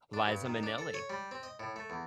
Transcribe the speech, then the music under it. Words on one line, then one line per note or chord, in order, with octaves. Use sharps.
Liza Minnelli.
D4
G2
D#3
D4
A4
C#5
G3
C4
D#5
A2
A3
E2